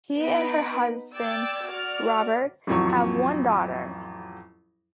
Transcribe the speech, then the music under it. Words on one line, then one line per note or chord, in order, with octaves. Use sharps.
She and her husband, Robert, have one daughter.
B3 D#4 B4 B5 D7
D5 G5 D6 E6 G#6 A6
F#4 D5 F6
A1 F2 F#3 C#6